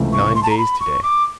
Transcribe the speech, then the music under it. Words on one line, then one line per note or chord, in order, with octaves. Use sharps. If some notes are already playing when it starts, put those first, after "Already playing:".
It's nine days today.
Already playing: C#2 C3 E3 A3
C#6
C6
A5
A#5
B5
C#6
D6